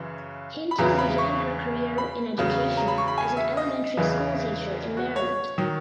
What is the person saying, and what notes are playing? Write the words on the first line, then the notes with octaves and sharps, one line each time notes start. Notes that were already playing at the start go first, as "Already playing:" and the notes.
Hinton began her career in education as an elementary schoolteacher in Maryland.
Already playing: F#2 C#3 E3
B5
E2 C#3 E3 A#5
B5
C#6
B5
E2 C#3 F#3
A#5
B5
C#6
B5
G#5
E5
D#5
E2 C#3 E3
F#4
C#5
D#3 F#3